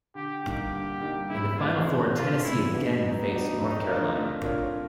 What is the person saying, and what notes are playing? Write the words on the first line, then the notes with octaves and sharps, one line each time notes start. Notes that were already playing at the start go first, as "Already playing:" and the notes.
In the Final Four, Tennessee again faced North Carolina.
D3 G4
G3 A#3 D#4 G4
D3
G3 A#3 D#4
C#3 E4
E3 A3 C4 F4
C#3
E3 A3 C4 F4
A2 E4
F#3 B3 D4
A2 D#4
F#3 B3 D4
A3
D4 F4 A#4 C#5
A3
D4 F4 A#4 C#5